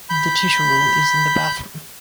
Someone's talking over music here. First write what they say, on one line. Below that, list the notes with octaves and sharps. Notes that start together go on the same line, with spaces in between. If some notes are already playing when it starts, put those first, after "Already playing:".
The tissue roll is in the bathroom.
B5 G6